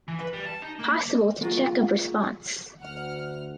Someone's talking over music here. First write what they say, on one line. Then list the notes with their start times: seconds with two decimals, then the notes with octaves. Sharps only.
Possible to check of response.
0.08 E3
0.20 B4
0.33 G3
0.47 A5
0.62 D#4
0.79 A#3
1.41 G#3 A#3 F4 F#4
2.80 D2 F#5 F6